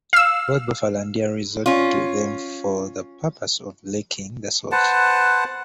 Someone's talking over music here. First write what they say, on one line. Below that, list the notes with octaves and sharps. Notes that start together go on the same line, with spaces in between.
Both buffalo and deer resort to them for the purpose of licking the salt.
F5 E6
C#4 F4
B4 C5 F#5 A5